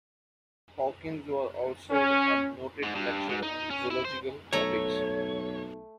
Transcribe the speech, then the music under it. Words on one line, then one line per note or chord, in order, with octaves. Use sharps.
Hawkins was also a noted lecturer on zoological topics.
C#4
G#2
G2
G#2
D#4
C#4
E4
C5
B1 A3 C#5 A#5